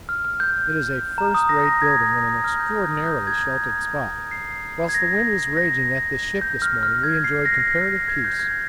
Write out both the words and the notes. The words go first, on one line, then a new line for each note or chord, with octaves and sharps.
It is a first-rate building in an extraordinarily sheltered spot; whilst the wind was raging at the ship this morning we enjoyed comparative peace.
F6
F6
G6
A#5
D#6
A#6
A#6
G#6
F6
G6
F6
D#6
G6
G#6
G#6
G6
G#6
C7
G#6
A#6
A#6
G6
F6
F6
G#6
C7
A#6
C7
A#6
G#6
G6
G#6